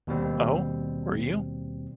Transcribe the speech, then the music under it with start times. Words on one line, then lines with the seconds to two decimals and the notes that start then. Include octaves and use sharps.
Oh, were you?
0.07 D#2 B2 G3 C4